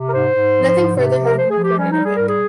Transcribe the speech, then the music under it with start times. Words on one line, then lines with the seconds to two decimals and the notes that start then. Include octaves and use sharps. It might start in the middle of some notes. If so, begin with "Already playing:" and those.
Nothing further has been recorded of him.
Already playing: C3
0.09 A#4
0.14 G#2 C5
0.34 G#2
0.55 F3
0.75 G#2
0.96 C3
1.16 F3
1.25 A#4
1.36 F3 C5
1.50 G#4
1.57 F3
1.64 G4
1.77 G3 C#4
1.91 D#4
1.98 G3
2.04 G#4
2.15 G#2 A#4
2.27 G#4